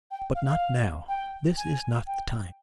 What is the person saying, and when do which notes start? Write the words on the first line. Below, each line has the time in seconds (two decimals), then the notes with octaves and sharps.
But not now, this is not the time.'
0.11 G5
0.35 F5
0.47 F5
1.08 G5
1.57 G#5
2.07 G5